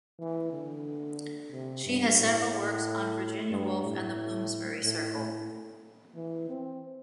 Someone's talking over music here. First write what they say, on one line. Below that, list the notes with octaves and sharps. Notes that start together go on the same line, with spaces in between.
She has several works on Virginia Woolf and the Bloomsbury Circle.
E3
D3
C3
G2
A2
A2
G2
A2
A2
A2
E3
C4